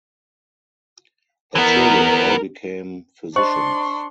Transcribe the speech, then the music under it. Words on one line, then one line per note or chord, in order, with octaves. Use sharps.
Their children all became physicians.
E3 B3 A#4
D4 C5 D#5 C6 C#6